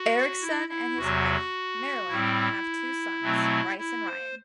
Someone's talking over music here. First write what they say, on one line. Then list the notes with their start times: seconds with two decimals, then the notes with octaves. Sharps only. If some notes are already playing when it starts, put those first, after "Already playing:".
Erickson and his wife, Marilyn, have two sons: Bryce and Ryan.
Already playing: F#4
0.42 E4
0.69 E4
0.97 E2 C3 F#3 F#4
2.09 A2 G3 C4 E4
3.22 B2 F#3 A3 C4
3.78 E4
4.05 C5